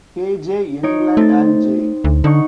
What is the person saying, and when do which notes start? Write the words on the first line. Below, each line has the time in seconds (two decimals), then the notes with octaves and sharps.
K. J. Englund and J.
0.83 D#4 C#5 D7
1.17 A3 C4 A6
2.04 D2
2.24 D3 D#4 F#5 C#6